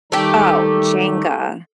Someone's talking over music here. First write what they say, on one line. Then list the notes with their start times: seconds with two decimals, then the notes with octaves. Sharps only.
Oh, Jenga.
0.12 D#3 G3 A3 D#4 G4